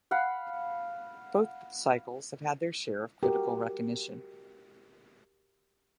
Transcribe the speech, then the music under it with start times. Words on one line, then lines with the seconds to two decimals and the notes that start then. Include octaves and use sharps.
Both cycles have had their share of critical recognition.
0.11 F5 F#5 B5
3.23 F#4 G4 A#4